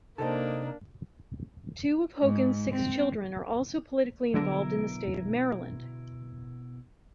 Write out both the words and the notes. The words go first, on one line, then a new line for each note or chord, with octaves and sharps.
Two of Hogan's six children are also politically involved in the state of Maryland.
C3 A#3 D4 D#4 A4 C5 G5 A5
G#2
C4
B2 D3 F#3 B3 E4 A#4